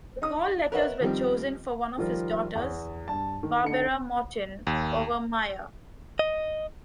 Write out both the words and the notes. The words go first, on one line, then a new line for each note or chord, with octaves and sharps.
The call letters were chosen for one of his daughters, Barbara Morton Overmyer.
D#4 D#6
A#4 B4 C#5 D#5 E5 F#5
D#3 F3 G3 C4
D#3 F3 G3 F4 A#4 C5
E2
G2 A5
D#3
D3 D#4 C#7
D#2
D#5